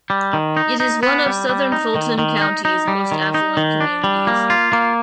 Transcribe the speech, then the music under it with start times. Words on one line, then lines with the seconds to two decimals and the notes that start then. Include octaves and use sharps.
It is one of southern Fulton County's most affluent communities.
0.10 G3
0.33 D#3
0.57 D#4
0.80 D#4
1.03 B3
1.26 G3
1.49 G3
1.72 D#4
1.95 D#3
2.19 D#3
2.41 D#4
2.65 D#4
2.88 G3
3.12 D#3
3.34 D#4
3.57 D#3
3.80 D4
4.04 G3
4.27 A#3
4.50 F4
4.73 A#3